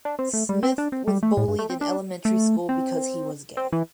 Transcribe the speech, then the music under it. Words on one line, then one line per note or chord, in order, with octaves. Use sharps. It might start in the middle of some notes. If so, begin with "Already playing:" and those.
Smith was bullied in elementary school because he was gay.
D4
C4
A3
G3
C4
D4
C4
G3
A3
A2
G2
A3
C4
D4
A3
C4
C4
E3